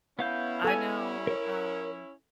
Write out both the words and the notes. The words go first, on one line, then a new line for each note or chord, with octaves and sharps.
I know, um,
B3 C#4 E4 F5 G6
A4 G#5
A#4 C#5